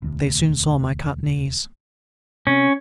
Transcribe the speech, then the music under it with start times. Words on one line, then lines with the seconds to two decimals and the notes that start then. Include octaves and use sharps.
They soon saw my cut knees.
0.02 E1 D2
2.47 C3 C#4